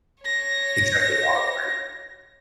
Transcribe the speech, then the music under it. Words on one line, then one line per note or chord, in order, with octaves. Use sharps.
exactly, awkward.
C#5 A#6